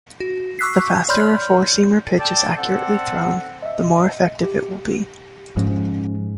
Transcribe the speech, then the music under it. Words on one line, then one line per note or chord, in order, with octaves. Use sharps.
The faster a four-seamer pitch is accurately thrown, the more effective it will be.
F#4
C#6 D6 E6 F#6 B6 C7
C#5 D5 B5 C6 F6 G6
A4 D5 G5 A5
C4 A4 D5 F#5
D#5 E5
G4
G#2 F3 C#4